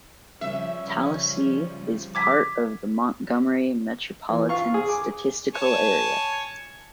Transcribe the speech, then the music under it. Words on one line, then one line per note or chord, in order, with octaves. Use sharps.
Tallassee is part of the Montgomery Metropolitan Statistical Area.
C#3 F3 G3 C#4 E5
D6 G#6 B6
E3
F4 F5 C#6
G#4
D6
C#5 G#5 A5